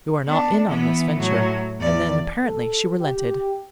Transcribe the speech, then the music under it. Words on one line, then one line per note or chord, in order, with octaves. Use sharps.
"You are not in on this venture." And then apparently she relented.
B3 D4
E3 B3
A2 F#3
E2 D5
A4
G4